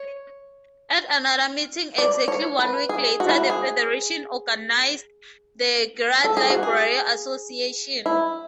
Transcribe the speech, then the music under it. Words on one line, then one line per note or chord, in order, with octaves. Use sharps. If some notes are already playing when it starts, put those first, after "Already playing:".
At another meeting exactly one week later the Federation organized the Girard Library Association.
Already playing: C#5
D5
C#5
B4
G#4
F#4
E4
F#4
G#4
A4
G#4
F#4
G#4
E4